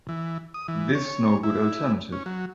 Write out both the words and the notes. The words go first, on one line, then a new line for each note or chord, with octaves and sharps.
This no good alternative.
E3
D#6
E3
C#5
E4
C#4
F#3